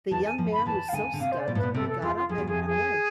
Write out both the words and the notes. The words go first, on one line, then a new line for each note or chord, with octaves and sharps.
The young man was so stunned he got up and ran away.
E2 E3 A5
G#5
F2 F3
B5
D3
E2 E3 A5
F5
D2 D3 G#5
D3
C3 F5
C5
D5
B2
A2 B4
B2
C3 A4
A4
E2 F4
F4
F2 G#4
E2
F2 G#4
G#4